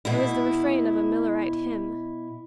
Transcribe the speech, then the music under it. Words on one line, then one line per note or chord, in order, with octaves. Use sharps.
It was the refrain of a Millerite hymn.
B2 E4